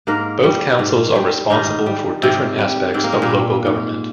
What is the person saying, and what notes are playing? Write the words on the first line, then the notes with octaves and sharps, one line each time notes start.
Both councils are responsible for different aspects of local government.
G#2 A#3 A#4
G3
G#2
G3
G#2 D#3 D#4
G3
G#2 C3 C4
G3
G#2 C4
A#3
G#3
A#2 A#3
G3
G#2